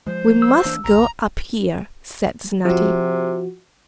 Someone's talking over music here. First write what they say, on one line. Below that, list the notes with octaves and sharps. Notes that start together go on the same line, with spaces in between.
'We must go up here,' said Snati.
F3 G#3 C5
E6
E3 A#3 D4
A1 D2 A#5
C3 F3 F#4